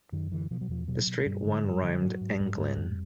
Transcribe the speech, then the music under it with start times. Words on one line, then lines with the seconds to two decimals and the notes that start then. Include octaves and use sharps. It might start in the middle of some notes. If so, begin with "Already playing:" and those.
The straight one-rhymed englyn.
0.12 F#2 D#3
0.31 D3 E3
0.51 B2 F3
0.61 F#3
0.69 E2 F3
0.88 B2 F#3
1.07 B2
1.20 G#3
1.26 G2 G3
1.45 D3
1.63 G2 G3
1.83 D3
2.01 G#2 F#3
2.21 G#2
2.40 G#2 G3
2.59 G#2
2.77 F2